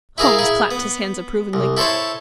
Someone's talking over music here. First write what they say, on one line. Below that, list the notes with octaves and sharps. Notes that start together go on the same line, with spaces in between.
Holmes clapped his hands approvingly.
E4 G#4 A#4 F5
E4 G#4
B3
C2
E4 A4 C5 C#5 A5